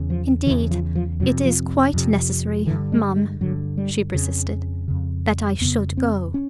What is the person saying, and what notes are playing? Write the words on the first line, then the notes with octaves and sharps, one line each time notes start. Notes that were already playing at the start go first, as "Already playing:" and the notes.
"Indeed, it is quite necessary, ma'am," she persisted, "that I should go."
Already playing: E2 C#3
F3
E2 C#3 E3
F3
F3
F2 C3 F#3
F3
F2 C3
G2 D3 E3
G#3
G#3
G2 D3 F#3
G3
F2 C#3
F2 C#3
F2 C#3 B3
C4
C#4